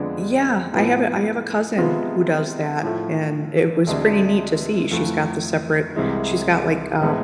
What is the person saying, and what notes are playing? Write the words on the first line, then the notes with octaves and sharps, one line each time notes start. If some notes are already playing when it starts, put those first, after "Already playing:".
Yeah. I have a I have a cousin who does that, and it was pretty neat to see. She's got the separate she's got, like, a
Already playing: F2 D3 G#3 B3 D4
A2 F3 B3
C3 F3 G#3 B3 F4
A2 F3 A3
D2 C3 G#3 D4
F2 E3 A3
C2 C3 E3 G#3
A2 E3 G#3 B3